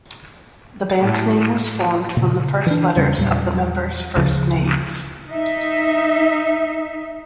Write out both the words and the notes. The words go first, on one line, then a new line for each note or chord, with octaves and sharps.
The band's name was formed from the first letters of the members' first names.
A2
A#2 C#3
E3 D4
E2 C#3 G3 C#4
E2 A#2 G3
F#1 D2 C#3 F3
D#4 E5